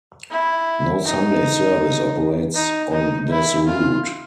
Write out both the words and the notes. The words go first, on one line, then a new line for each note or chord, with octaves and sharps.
No Sunday service operates on this route.
E4
D#4
D#4
D#4
E4
F4